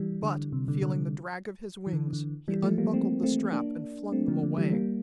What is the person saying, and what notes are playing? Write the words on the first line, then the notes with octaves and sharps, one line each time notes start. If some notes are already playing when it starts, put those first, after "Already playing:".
But, feeling the drag of his wings, he unbuckled the strap and flung them away.
Already playing: E3 G3
D3
C3
D3
D3
E3
D3
D3
E3 G3
F3 A3
G3 A#3
A3 C4
A3 C4
A#3 D4
A3 C4
D3 F3
D3
E3 G3
G3 A#3